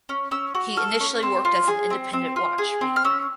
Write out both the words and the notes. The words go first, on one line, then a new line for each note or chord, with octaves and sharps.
He initially worked as an independent watchmaker.
C#4
C#4 E6
F#4
A4 F6
C#4
C4
F4
G#4
C4
C4
F4
G#4
C4
F6
C#4 E6